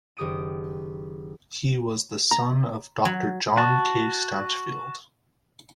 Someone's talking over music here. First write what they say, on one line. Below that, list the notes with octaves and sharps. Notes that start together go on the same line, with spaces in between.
He was the son of Doctor John K. Stanchfield.
F#1 D#3 G4 D#6 D7 D#7
A#5
F#3
F#4 A5